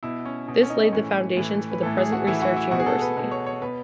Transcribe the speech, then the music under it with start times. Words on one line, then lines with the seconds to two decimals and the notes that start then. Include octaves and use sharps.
This laid the foundations for the present research university.
0.03 B2 E4
0.25 C#4
0.48 B2 C#4
0.63 C#4
0.70 D#4
0.93 A2 E3 C#4
1.37 A2 E3
1.72 B4
1.82 A2 E3 A4
1.98 G#4
2.12 F#4
2.27 A2 E3 E4
2.42 F#4
2.57 E4
2.71 B2 F#4
2.80 G#4
2.86 A4
3.02 B4
3.17 B2 B4
3.31 C#5
3.46 C#5
3.62 B2 B4